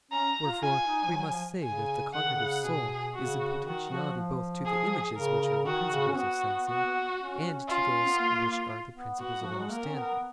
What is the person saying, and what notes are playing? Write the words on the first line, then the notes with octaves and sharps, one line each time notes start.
Wherefore we must say that the cognitive soul is in potentiality both to the images which are the principles of sensing, and to those which are the principles of understanding.
C#4 A#5
F4
F4 G#5
D#4
F3
F#3
F3
C#3 G#5
C#3 F#5
D#3
C#3
B2 G#4
C#3 F#4
D#3 F#4
F3
F3
G#4
C#3 A#4
C#3
D#3 F#4
C#3
C#4
B3 F#4
F#4
C#4
F4
B3
A#3
B3
B3 F#4
F3
F#3
G#3
A#3 A#4
C#4
B3